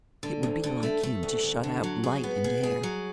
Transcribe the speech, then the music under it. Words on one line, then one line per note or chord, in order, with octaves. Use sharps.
It would be like him to shut out light and air.
D3
D2
D3
A3
A3
D2
D2
D3
F#3
G#4
B3
G#4
G#4
F#3